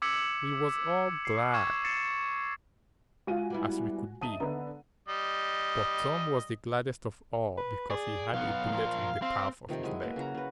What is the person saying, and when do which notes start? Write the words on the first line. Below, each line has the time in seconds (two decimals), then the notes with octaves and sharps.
We was all glad as we could be, but Tom was the gladdest of all because he had a bullet in the calf of his leg.
0.02 D6 E6 G#6 B6 C#7 F#7
1.25 C7
1.54 C#6 G#6 E7
1.84 A6 C7 C#7 E7
3.27 G#3 F4 F#4 F5 G#5 D#7
3.50 G3 B3 E4
4.21 D#2 D#4 E5 A5 D#6 D#7
4.40 D3 B3 A#5
5.08 G3 D#5
7.57 B4
7.90 G#4 D5
8.34 B1 B3 F5
8.72 A#2 F3
9.22 C4 F5
9.69 C3 D#3 F3
9.83 F#3 G#3 E4 G#5
10.02 A#3 A#4 B4
10.16 C#3 C#4 F#4 A#5
10.35 C#3 B4